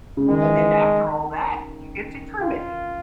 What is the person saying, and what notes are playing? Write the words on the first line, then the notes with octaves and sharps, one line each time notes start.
And then, after all that, you get to trim it.
C#3
D#3 G#3
F4